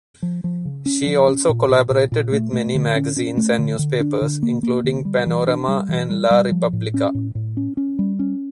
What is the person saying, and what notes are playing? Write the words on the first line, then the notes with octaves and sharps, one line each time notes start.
She also collaborated with many magazines and newspapers including Panorama and La Repubblica.
F3
F3
C#3
C#4
F3
C#4
A#2
A#2
A#2
A#2
A3
A3
D3
C#4
C#4
A3
D3
D3
D4
D3
A#3
A#3
D3
G3
E3
D4
G3
E3
G3
G3
F3
A2
C#4
A2
A2
C#4
C#4
G3
C#4